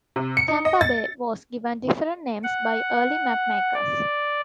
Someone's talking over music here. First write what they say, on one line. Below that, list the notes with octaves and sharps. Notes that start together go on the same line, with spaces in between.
Tampa Bay was given different names by early mapmakers.
C3
C#7
D#4
D#5
A6
F#5
D5